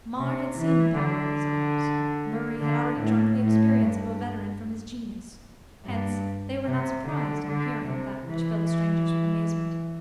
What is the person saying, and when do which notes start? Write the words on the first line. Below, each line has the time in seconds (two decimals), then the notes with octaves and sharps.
Mar had seen the power of his arms; Murray had already drunk the experience of a veteran from his genius; hence they were not surprised on hearing that which filled strangers with amazement.
0.17 C3
0.59 E3
0.99 D3
2.61 D3
3.01 A2
3.43 A2
3.82 G2
5.85 G2
6.66 C3
7.08 D3
7.48 D3
7.88 C3
8.29 E3